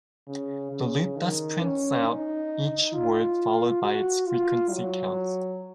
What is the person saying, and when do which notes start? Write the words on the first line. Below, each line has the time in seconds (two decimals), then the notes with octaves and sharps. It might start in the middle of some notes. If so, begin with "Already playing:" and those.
The loop thus prints out each word followed by its frequency count.
0.27 C#3
0.72 C#3
1.16 D#3
1.61 C#4
2.05 D#4
2.93 F4
3.82 F#4
4.27 F4
4.71 F#3